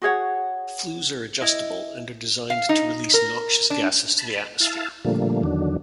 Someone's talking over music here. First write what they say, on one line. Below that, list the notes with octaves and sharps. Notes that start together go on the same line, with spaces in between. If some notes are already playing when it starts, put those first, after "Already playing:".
Flues are adjustable and are designed to release noxious gases to the atmosphere.
F#4 G#4 C#5 F#5
E4 D#5
F5
D#4
A#4
D4
A5 B5
E4 F5 A5
A#2 D3 F3 G3 A3 A#3
E2 D3 D#3 F#3 D4